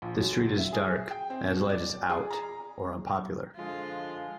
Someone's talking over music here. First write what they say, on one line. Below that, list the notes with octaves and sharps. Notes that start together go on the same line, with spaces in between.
The street is dark, as light is "out", or unpopular.
A#1
F#2
D2
E5
G#4
G5
C4
B2
D5
G#4
A#5
D3 F3 G#3 F4